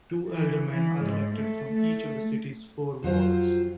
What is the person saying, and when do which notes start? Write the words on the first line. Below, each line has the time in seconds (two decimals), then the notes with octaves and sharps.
Two aldermen are elected from each of the city's four wards.
0.28 E3
0.69 E3
1.03 G#2
1.35 A3
1.74 A3
3.03 F2 F#3 F4 C5